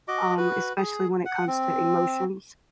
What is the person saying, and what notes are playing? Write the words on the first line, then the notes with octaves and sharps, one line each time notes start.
um, especially when it comes to emotions.
F#4 D#5 D6
F#4 B4
G#4
F#5
C4